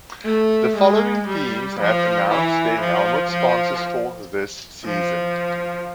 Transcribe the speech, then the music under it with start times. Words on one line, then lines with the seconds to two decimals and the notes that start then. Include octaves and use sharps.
The following teams have announced their helmet sponsors for this season.
0.25 A3
0.76 G#3
1.27 G3
1.79 F3
2.29 E3
2.80 F3
3.31 F3
4.85 F3